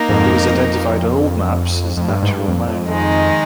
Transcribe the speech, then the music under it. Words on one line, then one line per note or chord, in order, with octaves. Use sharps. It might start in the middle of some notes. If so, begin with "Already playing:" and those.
It was identified on old maps as "Natural Mound".
Already playing: A#3 D#4 A#4
F2 G#2
F2
F2
G2
G#2
G2
F2
F2
F2 D#3 G#3 D#4